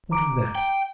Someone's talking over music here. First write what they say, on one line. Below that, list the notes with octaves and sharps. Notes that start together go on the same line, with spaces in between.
What of that?
A#5 D6 D7
G5